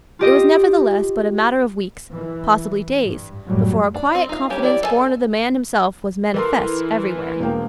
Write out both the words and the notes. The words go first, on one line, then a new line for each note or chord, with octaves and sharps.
It was nevertheless but a matter of weeks, possibly days, before a quiet confidence born of the man himself was manifest everywhere.
F4 G4 D#5
E3
G2
F#2 A2 F#3 G3 A3
D4
C4
D#4 F4 F5
G3 A#3 C#4 G4
F3 E4 G4 D5
B3 A4 D#5 G#5 A5
E3 A4 A#4 C6
E1 A#3 G5